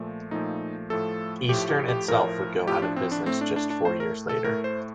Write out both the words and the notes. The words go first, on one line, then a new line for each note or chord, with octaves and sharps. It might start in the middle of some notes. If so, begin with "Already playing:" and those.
Eastern itself would go out of business just four years later.
Already playing: A#2 F3 A3
A#2 F3 A3 D#4
A2 F3 A3 A4
A2 F3 A3 G4
G4
G4
A2 F3 A3 A#4
A2 F3 A3 G4
D4
C4
D4
A2 A3 C4
D4
D4
D4
A2 A3 C5
A#4
A4
A2 A3 A#4
C5